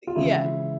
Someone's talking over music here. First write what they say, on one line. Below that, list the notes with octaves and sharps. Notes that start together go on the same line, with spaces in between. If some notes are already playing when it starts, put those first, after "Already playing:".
Y yeah.
F4
C#3 E3 G#3 E4